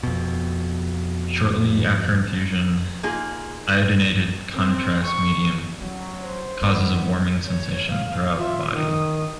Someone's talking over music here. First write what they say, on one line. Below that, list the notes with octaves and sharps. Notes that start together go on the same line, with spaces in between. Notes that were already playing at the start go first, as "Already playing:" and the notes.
Shortly after infusion, iodinated contrast medium causes a warming sensation throughout the body.
F2 B2
A#3 D#4 F4 G#4
C4
C#6
F#3 C#4
C5
G2 D#3 G3 B3
C#5
F5
F4 E5
D#3 D#6